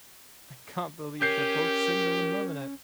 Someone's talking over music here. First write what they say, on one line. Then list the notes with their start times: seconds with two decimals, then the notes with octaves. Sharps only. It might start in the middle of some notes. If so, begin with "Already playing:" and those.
I can't believe they're both single and loving it.
1.22 C#4 G4 A#4 G6 C7